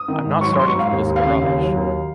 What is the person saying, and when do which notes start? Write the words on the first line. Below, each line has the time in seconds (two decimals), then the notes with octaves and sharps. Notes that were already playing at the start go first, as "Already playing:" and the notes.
I’m not starting from this garage.
Already playing: D#6
0.08 D#3
0.25 G#2
0.41 F#3 C#6
0.53 G#2 C6
0.67 C#6
0.75 G#2 F5
0.91 D#2
1.08 D#2
1.16 F5
1.25 C#3
1.42 D#2 F5
1.58 F#3
1.75 D#2